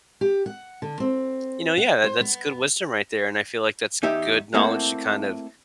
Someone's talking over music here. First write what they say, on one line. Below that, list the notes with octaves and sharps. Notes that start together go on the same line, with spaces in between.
you know, yeah, that that's good wisdom right there, and I feel like that's good knowledge to kind of,
G4
F#5
D3
C4
F#5
C5
B3
E2 D#4 G4 E5
A3 A#3 C4 E4 F#4 A4